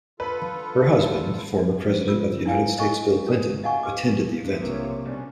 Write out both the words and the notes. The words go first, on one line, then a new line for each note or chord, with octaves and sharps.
Her husband, former President of the United States Bill Clinton, attended the event.
D3 F4 A4 B4
F4 E6
D4 E4 F5 G#5
C5 D#5 G#5 C#6
C#4 A4
D#5 F5 F#5 G#5 C#6
G4 B4 D6
D4 E5
B1 C3 A#3 F4 C#5
B2 G3 B3 C#4 D4